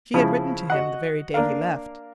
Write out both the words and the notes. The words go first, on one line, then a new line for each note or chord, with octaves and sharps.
She had written to him the very day he left.
C#3 F3 E4
F#4 D#5 F#5
A#3 D4 A#4 F5